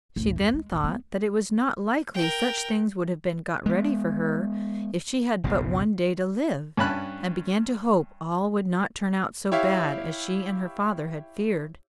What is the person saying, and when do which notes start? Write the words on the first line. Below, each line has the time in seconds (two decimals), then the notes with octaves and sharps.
She then thought that it was not likely such things would have been got ready for her, if she had but one day to live; and began to hope all would not turn out so bad as she and her father had feared.
0.16 A1 D2
0.36 F2
0.54 G#3
0.72 A1 D#2
0.84 A#3 B3
2.15 A#4 G5
3.66 G#3 B3
5.44 F#1 B1 F#2 C#3
6.77 G2 C#4 A5 B5 F#6
9.52 E4 G4 C#5 E5 F5